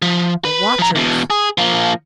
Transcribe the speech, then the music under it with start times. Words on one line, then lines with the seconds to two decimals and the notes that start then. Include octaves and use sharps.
The watchers!
0.02 F3
0.45 B4
0.79 F3 A#5
0.95 E2 B2
1.30 G#4
1.58 F3 A#3